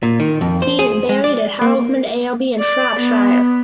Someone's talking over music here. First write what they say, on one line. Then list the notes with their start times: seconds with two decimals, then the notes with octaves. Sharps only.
He is buried at Haughmond Abbey in Shropshire.
0.03 A#2
0.20 D#3
0.41 F2
0.62 C5
0.79 G#4
1.09 G#3
1.24 D5
1.61 A#3
2.60 D5
3.00 B3